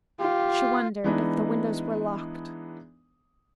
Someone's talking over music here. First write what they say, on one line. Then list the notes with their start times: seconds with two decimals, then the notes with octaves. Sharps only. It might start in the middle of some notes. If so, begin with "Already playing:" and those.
She wondered if the windows were locked.
0.20 F4 G4
1.04 E3 G#3 B3 D4 D#4